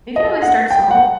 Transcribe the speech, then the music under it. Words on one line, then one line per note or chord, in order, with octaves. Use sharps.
you can always start small.
D#5
F#5
G5
F#5